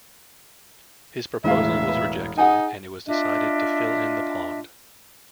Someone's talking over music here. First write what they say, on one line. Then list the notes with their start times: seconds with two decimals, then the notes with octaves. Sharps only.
His proposal was rejected and it was decided to fill in the pond.
1.44 E1 A2 E5 F5
1.88 B4
2.38 D#4 G#4 F#5 G#5
3.07 D4 F4 D#5 E5